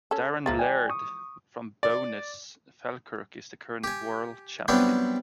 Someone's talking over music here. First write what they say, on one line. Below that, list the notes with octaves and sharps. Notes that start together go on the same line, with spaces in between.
Darren Laird from Bo'ness, Falkirk is the current world champion.
C#4 A4
C#2 E3 F3 G#3 A#5 A6
D5 G5 G#5
C#6 D#6
D5
G4 G#5
F#3 G3 B3 C4 D4 E4